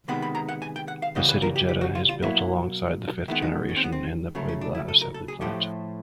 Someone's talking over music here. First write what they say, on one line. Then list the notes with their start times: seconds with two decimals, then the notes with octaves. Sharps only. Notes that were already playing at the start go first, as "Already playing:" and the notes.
The City Jetta is built alongside the fifth generation in the Puebla Assembly Plant.
0.08 C3 D#3 G#3 B3 B5
0.22 B5
0.35 A#5
0.49 F#5
0.62 G#5
0.76 G5
0.88 F#5
1.02 F5
1.15 C#3 E3 G3 B3 D#5
1.29 B4
1.42 A#4
1.56 G4
1.69 G4
1.81 F#4
1.95 F4
2.09 F4
2.22 B2 F#3 A#3 E4
3.28 D#3 G#3 B3 E4
3.42 D#4
3.69 C#4
3.76 C4
3.84 B3
3.92 C4
4.35 C#3 F#3 A3
4.49 C#4
4.61 D4
4.75 E4
4.88 A4
5.02 A#4
5.14 A4
5.28 G#4
5.41 A2 F3 A3 G4